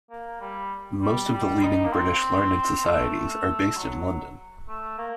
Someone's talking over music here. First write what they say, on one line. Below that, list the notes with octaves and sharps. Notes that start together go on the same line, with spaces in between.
Most of the leading British learned societies are based in London.
A#3
G3
G3
G3
D#4
A#3
C4
A3
F#3
A3
A#3